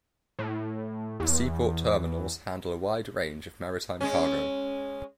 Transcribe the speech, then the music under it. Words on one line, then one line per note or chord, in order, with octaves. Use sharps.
Seaport terminals handle a wide range of maritime cargo.
A2
E2
G#3 C#4